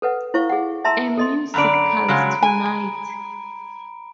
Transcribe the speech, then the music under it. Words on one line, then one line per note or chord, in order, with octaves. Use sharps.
A Musicals Tonight!
A4 B4 F#5
E4 C5 F5 C#6
G#4 F#5
E5 A5 A#5 C6 E6
A4 D#5 C6
F#2 D3 D5 A#5 B5 D7
C#3 F#3 G#3
G#5